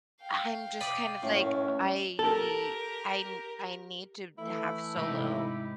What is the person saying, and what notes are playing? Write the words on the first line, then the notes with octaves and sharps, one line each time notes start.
I’m just kind of like, I I n I need to have solo
F5 G5
D5 B5 D#6
A2 C#4
G4 A4 A#4
E3 A3 E4
G#2 C3 D#4 G4